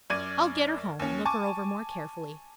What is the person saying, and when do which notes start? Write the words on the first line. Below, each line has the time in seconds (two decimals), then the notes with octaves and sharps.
"I'll get her home and look her over more carefully."
0.10 F#2 D5 G#6 D#7
0.99 D#2 C#4
1.25 G#5 A5 C#6 D6